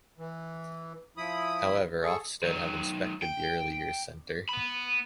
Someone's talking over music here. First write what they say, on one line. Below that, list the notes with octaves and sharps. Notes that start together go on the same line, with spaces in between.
However, Ofsted have inspected the Early Years Centre.
E3
F3 E4 B5 D#6
G#4 A4 C#6
D#3 F#3
G5
B3 B5